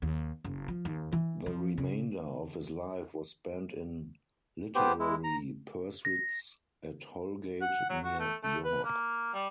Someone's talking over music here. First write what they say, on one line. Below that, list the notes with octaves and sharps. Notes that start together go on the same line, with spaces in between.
The remainder of his life was spent in literary pursuits at Holgate, near York.
D#2
F#1
F3
D#2
E3
F3
C#3
B3 G4 C5 G5
G#3 E4
A#5
A#6
F#5
F#3
F#4
A3
A3
B4
A#3
G3